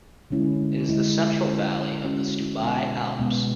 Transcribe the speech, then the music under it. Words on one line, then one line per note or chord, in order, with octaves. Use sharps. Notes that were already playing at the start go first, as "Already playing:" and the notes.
It is the central valley of the Stubai Alps.
D3 G#3 C#4 E4
D3 G#3 C#4 E4
G#3 C#4 F#4
G#3 C#4 F#4
B2 G#3 B3
B2 G#3 B3